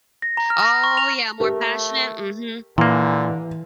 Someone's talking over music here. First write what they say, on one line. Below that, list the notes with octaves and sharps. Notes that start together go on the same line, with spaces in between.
oh yeah, more passionate, mhm.
A#6
A#5
F6
A#6
C#6
F7
A3 G4 A#4
A#2 D3 E3 A#3